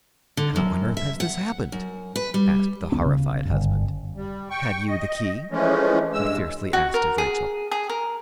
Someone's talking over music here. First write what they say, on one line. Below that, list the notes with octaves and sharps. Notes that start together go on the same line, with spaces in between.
"How on earth has this happened?" asked the horrified husband. "Had you the key?" he fiercely asked of Rachel.
D3
F#2
E5
F#5
F#2
B4
G3
D2 B3 C#4
C#3
G1 F#2
G3
G5 C#6
D#5
E3 F3 G#3 A3 C#4
G2 G#3 E6
F#4
A#4
G#4
G#4
A#4